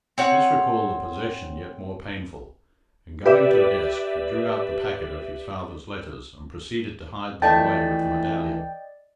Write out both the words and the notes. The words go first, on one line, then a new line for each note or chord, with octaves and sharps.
This recalled a possession yet more painful, and going to a desk, he drew out the packet of his father's letters and proceeded to hide them away with the medallion.
C4 C#5 F#5
G4 B4 D5 E5
F2 E3 A3 D5 D#5 G5 A5 A6